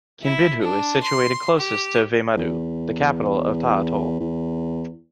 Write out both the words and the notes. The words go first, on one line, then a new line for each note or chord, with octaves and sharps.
Kinbidhoo is situated closest to Veymadoo, the capital of Tha Atoll.
E4
D4
C6
G4
E2
E2